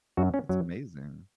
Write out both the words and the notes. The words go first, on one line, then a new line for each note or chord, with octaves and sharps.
That's amazing.
F#2 F#3 F#4
C#4
F#2 F#3